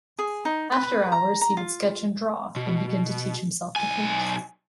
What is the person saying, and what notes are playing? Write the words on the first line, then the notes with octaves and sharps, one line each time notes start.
After hours, he would sketch and draw, and began to teach himself to paint.
G#4
D#4
B4
A#5
A#5
F4
B2
B1 G#5